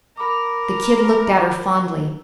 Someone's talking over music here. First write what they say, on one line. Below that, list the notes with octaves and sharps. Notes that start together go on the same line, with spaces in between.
The Kid looked at her fondly.
A#4 B5 D6